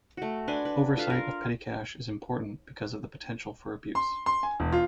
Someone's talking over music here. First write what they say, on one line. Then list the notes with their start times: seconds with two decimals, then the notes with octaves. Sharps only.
Oversight of petty cash is important because of the potential for abuse.
0.17 A3 F#4
0.48 D4 B4 G#5 C6
0.65 B4
0.97 F4 A4 B4 F5
1.10 A#4
3.95 C6
4.26 C6
4.43 G#5
4.60 E1
4.72 F4